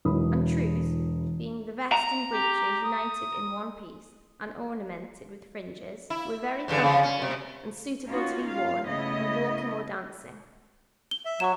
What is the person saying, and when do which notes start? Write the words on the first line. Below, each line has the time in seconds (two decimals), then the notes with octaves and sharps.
And trews being the vest and breeches united in one piece, and ornamented with fringes, were very comfortable, and suitable to be worn in walking or dancing.
0.05 E1 E3 F#3 B5 D#6
1.92 A#5
2.33 G4
2.84 D#6
6.10 E4
6.68 E2 G2 D3
6.82 C#3 F3
7.03 C#4
7.22 C3
8.07 A#3 C#4 D#4 F4 F#4
8.47 F4 F5
8.87 C#3 A3 B3 E4 D#5
11.11 G7
11.25 E5
11.40 F#3 C#6 E7